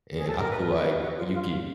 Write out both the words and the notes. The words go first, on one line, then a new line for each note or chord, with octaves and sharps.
and I feel like you get
G#4
A4
A#4
B4
B4
B4
F#4
F4
F4